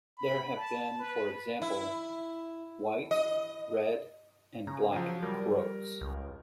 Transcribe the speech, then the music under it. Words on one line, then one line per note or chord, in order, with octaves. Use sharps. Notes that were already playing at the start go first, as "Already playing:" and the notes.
There have been, for example, White, Red and Black Croats.
B5
A5
B4
E4
D#5
C#3 A#5
F3 F#3
G3 A#4
C#2